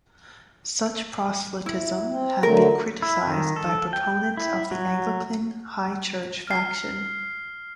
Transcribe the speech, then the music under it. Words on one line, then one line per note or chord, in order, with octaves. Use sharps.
Such proselytism had been criticised by proponents of the Anglican High Church faction.
E4
C4
D3 F#3 A3 A#4
E4
D#3
A4
G5
E4
F#3
F6 C7